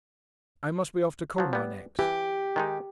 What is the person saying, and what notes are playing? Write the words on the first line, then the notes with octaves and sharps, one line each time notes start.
'I must be off to Colmar next.'
F3 F#3
G3 B3
E3 G4
D#3 G#3 D#4